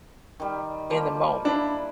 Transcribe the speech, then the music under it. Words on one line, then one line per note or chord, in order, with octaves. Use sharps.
in the moment.
D#3 G3
F3 G3 A#3
D4 E4